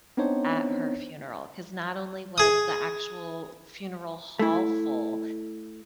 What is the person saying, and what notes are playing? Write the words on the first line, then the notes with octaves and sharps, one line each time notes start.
at her funeral, 'cause not only was the actual funeral hall full,
B3 C4 D4 D#4 C5 C#5
G#4 D#6
A3 E4